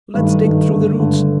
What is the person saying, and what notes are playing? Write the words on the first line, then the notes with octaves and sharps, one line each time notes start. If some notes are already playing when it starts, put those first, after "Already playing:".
Let's dig through the roots.
G2 D#3 A3
G2 D#3 A3
G2 D3 A3
G2 D3 A3